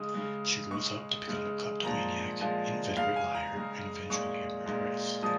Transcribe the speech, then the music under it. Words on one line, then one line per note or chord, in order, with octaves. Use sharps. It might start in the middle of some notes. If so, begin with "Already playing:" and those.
She grows up to become a kleptomaniac, inveterate liar, and eventually a murderess.
Already playing: C#3 G#3 D#6
C#3 G#3
C#3 G#3 C#6
C#3 G#3
A#2 F3 G#3 A#5
A#2 F3 G#3
C#3 G#3 F5
G#5
A#5
C#3 G#3
A#2 G#3 C#6
A#2 G#3
A#2 F3 G#3 D#6